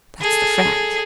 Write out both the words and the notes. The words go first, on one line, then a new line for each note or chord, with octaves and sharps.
That's the fact.
G#4 A4